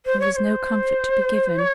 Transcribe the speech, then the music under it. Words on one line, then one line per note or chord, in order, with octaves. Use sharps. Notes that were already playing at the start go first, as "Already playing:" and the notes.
There was no comfort to be given.
C5
C#5
C#5
C5
C#5